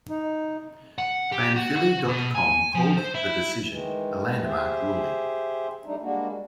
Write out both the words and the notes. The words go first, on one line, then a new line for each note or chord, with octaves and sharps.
PlanPhilly dot com called the decision a landmark ruling.
D#4
F#5
G4
F#4
F#4
B2
G#5
F3
C5
E4
D#3 E3 G#3
G4 G#4 C5 E5
G3 A3 D4 D#4
G3 G#3 A#3 D4 F#4